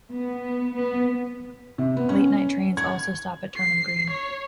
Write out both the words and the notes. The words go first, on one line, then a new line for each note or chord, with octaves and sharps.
Late night trains also stop at Turnham Green.
B3
B3
C3
B3
C#4
G#6
C7
C#5